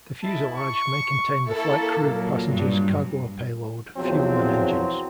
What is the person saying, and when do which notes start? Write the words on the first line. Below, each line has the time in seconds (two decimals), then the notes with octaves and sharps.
The fuselage may contain the flight crew, passengers, cargo or payload, fuel and engines.
0.22 G#3 E4 A5
0.55 C#6
1.46 A#3 E4 A4
2.00 A#2 F#3
2.50 G2
3.96 B1 E2 F3 F#3 C4